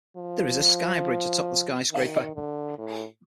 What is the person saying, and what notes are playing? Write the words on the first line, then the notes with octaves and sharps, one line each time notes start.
There is a skybridge atop the skyscraper.
F3
D#3
D3
A2